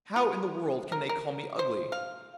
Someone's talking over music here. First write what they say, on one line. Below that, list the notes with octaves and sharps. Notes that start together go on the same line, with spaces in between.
How in the world can they call me ugly?
F4
A#4
A#4
C5
F5